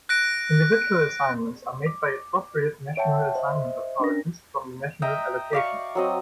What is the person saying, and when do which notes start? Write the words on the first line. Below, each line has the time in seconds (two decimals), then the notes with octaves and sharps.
Individual assignments are made by appropriate national assignment authorities from the national allocation.
0.09 F#6 A#6 D7
1.86 D6
2.97 C#5 E5 F#5 G5 A5
3.35 C5 D#5 E5
4.00 C#4 D4 A#4 A#6
5.02 D#5 E5 G5 A#5
5.53 D5 F5 C#6
5.95 F#3 C4 D#5